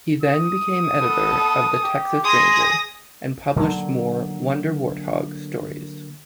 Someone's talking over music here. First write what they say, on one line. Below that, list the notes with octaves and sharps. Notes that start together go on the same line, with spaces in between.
He then became editor of "The Texas Ranger" and published more "Wonder Wart-Hog" stories.
D#6
B3 A4
G4
G#4 C6 D#6 A#6
D3 F#3 G#3 A#3